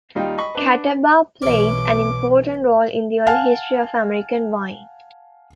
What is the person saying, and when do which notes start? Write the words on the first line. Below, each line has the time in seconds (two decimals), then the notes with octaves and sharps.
Catawba played an important role in the early history of American wine.
0.15 D#2 G3 D#4 F4 G5
0.38 D#5 B5 C#6
0.55 D4 B4
1.42 B1 B2 E3 C#4 D6
3.27 F5 F#5 G#5 A5 F6